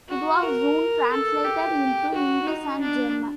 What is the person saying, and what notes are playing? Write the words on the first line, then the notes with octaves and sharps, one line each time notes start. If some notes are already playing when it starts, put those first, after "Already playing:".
It was soon translated into English and German.
F#4
A#4
A4
G4
F#4
D#4
D4